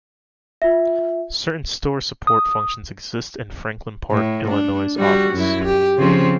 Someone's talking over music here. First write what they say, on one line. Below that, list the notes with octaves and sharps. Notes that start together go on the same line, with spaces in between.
Certain store support functions exist in the Franklin Park, Illinois office.
F4 E5
D#6
A2
D4
G3 F#4
F#2 E4
G4
C#3 F3 C4